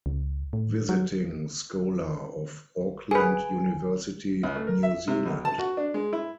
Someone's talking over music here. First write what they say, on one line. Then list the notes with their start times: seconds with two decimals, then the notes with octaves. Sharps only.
Visiting Scholar of Auckland University, New Zealand.
0.06 C#2
0.53 A2
0.89 F#3
3.11 G#4 B4 G#5
4.43 C#2
4.56 A3
4.67 A#4
4.83 E5
5.08 C3
5.25 B1
5.45 A5
5.59 F#4
5.77 D4
5.94 G#3
6.13 E4